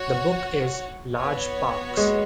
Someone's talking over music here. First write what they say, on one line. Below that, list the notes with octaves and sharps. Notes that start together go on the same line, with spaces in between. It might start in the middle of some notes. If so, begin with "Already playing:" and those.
The book is "Large Parks".
Already playing: F#4 C#5 F#5
B3 F#4 C#5
G#3